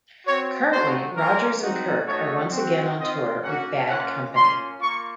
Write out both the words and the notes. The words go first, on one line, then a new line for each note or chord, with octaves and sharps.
Currently, Rodgers and Kirke are once again on tour with Bad Company.
C4 F#4 C#5
A3 C4 D#4 F#4 C5
A#3 C#4 F4 A#4
C4 D#4 F#4
A3 D#4 F#4 C#5
C4 F#4
C4 F4 D#5
A#3 C#4 F#4 F#5
A#3 C#4 F4 F#5
A#3 C#4 F4 C6
A#3 F4 C#6